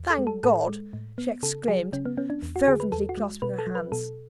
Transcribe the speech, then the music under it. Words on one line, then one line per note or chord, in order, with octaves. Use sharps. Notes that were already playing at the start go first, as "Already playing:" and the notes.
"Thank God!" she exclaimed, fervently clasping her hands.
Already playing: E2
A4
G#3
A4
A2 A4
G#3
A2
B3
C#3 A4
F#3 G#4
C#3 C#4
B3
B3 C#4
D4
E2
F#4
D3 G#4
B4
E2 A4
F#4
G#3
B2 B4
A4
F#3
B4
B2 A4